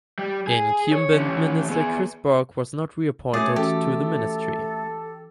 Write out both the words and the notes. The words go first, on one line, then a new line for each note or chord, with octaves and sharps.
Incumbent minister Chris Bourke was not reappointed to the Ministry.
G3
G#4
C#5
E3 C#4
B3 G#4
F#2 A3 G#4 C#5 D6 A6
E3 C#4 F#4 G4 A4